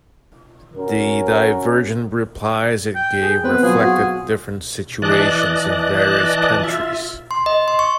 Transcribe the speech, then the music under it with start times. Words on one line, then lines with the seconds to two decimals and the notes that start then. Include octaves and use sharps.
The divergent replies it gave reflected different situations in various countries.
0.76 C#4 F#4 A#4
2.95 G5
3.22 G#4
3.44 B3 C4 B4 C5
3.63 F#3 F4 F#4 G#4
3.80 F4 F#4
5.02 E3 D5 D#5 A5 F#6
6.63 F4 E5
7.31 C6
7.46 D#5
7.68 C6
7.79 C#6